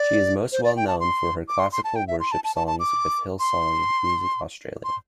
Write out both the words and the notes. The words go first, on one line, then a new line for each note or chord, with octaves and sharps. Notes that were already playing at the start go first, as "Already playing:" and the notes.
She is most well known for her classical worship songs with Hillsong Music Australia.
Already playing: D5
C5
D5
G5
A5
C6
D6
C6
C6
A5
G5
E5
C6
A5
A5
A5
A5
D6
C6
C6